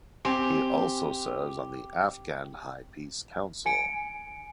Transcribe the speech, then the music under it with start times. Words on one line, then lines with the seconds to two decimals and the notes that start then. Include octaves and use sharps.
He also serves on the Afghan High Peace Council.
0.25 C4 G4 G#5
3.66 G#5 C#7 D7